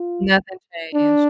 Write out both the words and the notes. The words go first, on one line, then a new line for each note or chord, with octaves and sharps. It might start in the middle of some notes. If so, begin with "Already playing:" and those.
Nothing changed.
Already playing: F4
D4